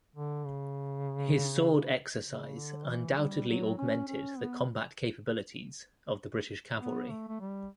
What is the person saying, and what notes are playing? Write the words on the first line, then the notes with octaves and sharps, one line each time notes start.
His sword exercise undoubtedly augmented the combat capabilities of the British cavalry.
D3
C#3
C#3
D3
E3
G3
F#3
C#4
C#4
B3
B3
A3
A3
G3